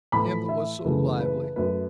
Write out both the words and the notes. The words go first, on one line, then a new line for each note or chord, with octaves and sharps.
Him that was so lively!
A2 E3 A3 B5
E5
F#2 C#3 E3 A3 B4
B4
F#2 F#3 A3 B4